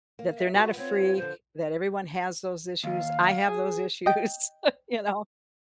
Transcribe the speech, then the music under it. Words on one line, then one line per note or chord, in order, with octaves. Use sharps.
that they're not a freak, that everyone has those issues, I have those issues, you know?
A#3
E5
B3 F4 F#4
B3 C4 F4 C#5
D3 F3 C5
D#2 F5
G#4
D#5 G5